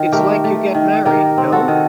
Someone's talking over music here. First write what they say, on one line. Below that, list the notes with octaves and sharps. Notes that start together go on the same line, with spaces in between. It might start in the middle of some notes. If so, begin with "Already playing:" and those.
It's like you get married, no?
Already playing: D#3
A3 G4 A#4
A3
D#3
D#3 G4 A#4
C4
F#4 A4
D#3